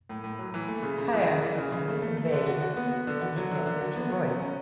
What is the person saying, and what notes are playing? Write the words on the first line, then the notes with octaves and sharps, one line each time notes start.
Hierarchy can be conveyed and detected through voice.
A2
A2
F#3
E3
A3
C#3
C#3
E3
C#3
E3
C#3
C#3
A3
A3
A3
D3
F#4
F#4
B3
F#4
D3
F#4
F#3
D3
D3
F#4
B3
F#3
C#4
C#4